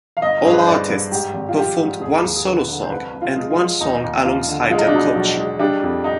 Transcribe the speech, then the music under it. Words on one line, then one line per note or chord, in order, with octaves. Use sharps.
All artists performed one solo song and one song alongside their coach.
F5
G1 D#5
G2 G#4
B4
C5
G2 D5
G2
G#2 G4
G#1
F4
G3 G4
G#2
D#2 G#4
D#2
G#4
D3 B4
D3
C5
C2 B4
C2
F4
G#3
F4
F3
D#2 D#4
D#2
D#2 F4
D3
G#3 F4
D#4
D4
B2 D#4
B1
G#3
G3 D4
F2
D#4